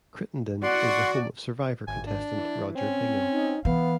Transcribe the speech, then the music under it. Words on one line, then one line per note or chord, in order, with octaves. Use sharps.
Crittenden is the home of "Survivor" contestant Rodger Bingham.
F#4 D5 F#5 C6
G#1 G#5
D4
E3
C4 C#4
D#4
E3 B3 F5